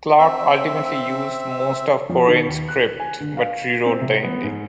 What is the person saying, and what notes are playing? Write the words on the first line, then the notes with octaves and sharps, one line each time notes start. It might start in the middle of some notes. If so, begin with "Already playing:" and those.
Clark ultimately used most of Korine's script, but rewrote the ending.
C4 E5
F3
D#3
D#2
F#6
G#5
D3
F5
C4
C3
B3
G#2